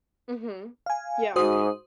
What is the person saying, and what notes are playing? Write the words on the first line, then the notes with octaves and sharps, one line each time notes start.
Mhm, yeah.
F5 G#5
G#2 F#4 C5 D#6